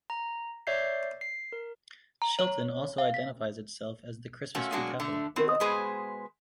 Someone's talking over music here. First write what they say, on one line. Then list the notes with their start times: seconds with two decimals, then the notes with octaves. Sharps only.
Shelton also identifies itself as the "Christmas Tree Capital".
0.10 A#5
0.67 C#5 D5 E5 G6 C7
1.21 C7
1.52 A#4
2.22 A#5
2.39 C#5
2.98 F5
3.14 B6
4.55 A#2 A3 A#3 C#4 F#4 A4
4.72 F#3 G#3 A#3 D4 F#4
5.00 D3 A3
5.36 B2 D#3 C4
5.60 B2 G#3 G#4 B4 C5